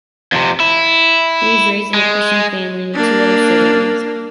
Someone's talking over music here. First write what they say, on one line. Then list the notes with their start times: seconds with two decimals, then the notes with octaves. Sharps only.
He was raised in a Christian family, with two other siblings.
0.32 F2 C3
0.60 E4
1.94 G#3
2.95 A#3 D4